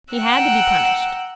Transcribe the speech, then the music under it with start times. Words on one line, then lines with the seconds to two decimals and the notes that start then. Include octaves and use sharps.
"He had to be punished."
0.14 F#5 G5 A#5 E6 F#6